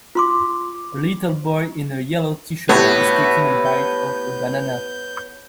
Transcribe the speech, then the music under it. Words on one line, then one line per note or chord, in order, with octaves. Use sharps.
A little boy in a yellow teeshirt is taking a bite of a banana.
F4 C6 D6
A2 B3 F#4 G4 B4 C#5 E5
G6